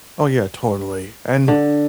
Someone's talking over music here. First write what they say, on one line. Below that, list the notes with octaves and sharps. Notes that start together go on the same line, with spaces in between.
Oh, yeah, totally. And f
D3